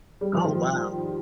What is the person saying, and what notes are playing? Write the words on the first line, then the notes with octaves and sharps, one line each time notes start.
Oh, wow.
G3
F3
D#3
F3